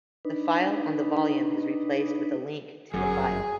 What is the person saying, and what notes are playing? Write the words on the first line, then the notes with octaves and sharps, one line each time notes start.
The file on the volume is replaced with a link to the file.
D4 D#4 B4
G1 F#2 G#4